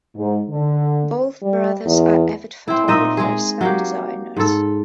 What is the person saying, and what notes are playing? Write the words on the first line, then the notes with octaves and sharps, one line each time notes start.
Both brothers are avid photographers and designers.
G#2
D3
G3
E2
C4 E4
A#2 D#4 D#5 E5
G#3 G#4
F#3 A#3 G4
G#2 A4